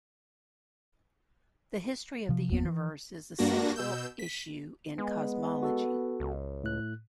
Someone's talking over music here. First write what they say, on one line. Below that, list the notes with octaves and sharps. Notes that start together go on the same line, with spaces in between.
The history of the universe is a central issue in cosmology.
C3 F3
G1 E2 A#3 B3
E3
G2 A#3 D4 F#4 A#6
B2 E6 G6
B6
G#3 B3
F#4 A4
C#2
A2 F#6